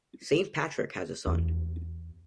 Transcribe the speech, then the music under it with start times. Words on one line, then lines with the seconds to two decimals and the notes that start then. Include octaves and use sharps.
Saint Patrick has a son.
1.27 E2